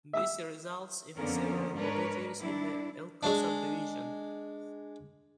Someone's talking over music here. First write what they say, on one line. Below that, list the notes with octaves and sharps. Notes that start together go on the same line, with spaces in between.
This results in several oddities in the Elko Subdivision.
E5 E6
F2 D3 A#3 B3 C#4 A#4
G#2 D4 A#4 B4 C#5
G3 D4 E4
G#3 D4